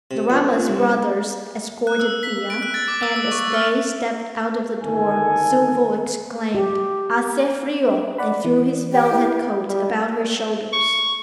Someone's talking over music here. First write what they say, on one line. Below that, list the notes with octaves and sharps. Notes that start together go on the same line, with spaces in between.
The Ramas brothers escorted Thea, and as they stepped out of the door, Silvo exclaimed, "HACE FRIO!" and threw his velvet coat about her shoulders.
C3
F2
C2
F#6
E6
B6
D7
F#6
A6
D6
E6
E6
C#6
F6
G1 D#3 A4 G#5
G4
D5 F#5 B5
E3
G4
E4 B4
G3
C#6